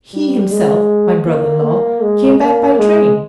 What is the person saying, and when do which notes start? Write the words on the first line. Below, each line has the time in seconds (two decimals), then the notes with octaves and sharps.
He himself--my brother-in-law--came back by train.
0.14 G3
0.51 G#3
1.26 A#3
1.65 A#3
2.02 G#3
2.41 A#3
2.78 G#3